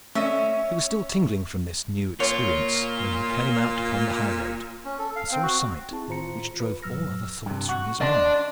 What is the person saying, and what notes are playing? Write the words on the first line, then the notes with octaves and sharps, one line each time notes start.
He was still tingling from this new experience when he came out upon the high-road and saw a sight which drove all other thoughts from his mind.
A3 C#4 D#5 E5
A#2 F4 C#5
C#4
A4
F5
C4
F#4
C4 E4 G#4 A5
A2 D#3 F4 C5 A#5 C#7
B4
F#2 A#2 F#3 E6 F6 A#6
G2 C3
F#4
D4 D#5 A5 C6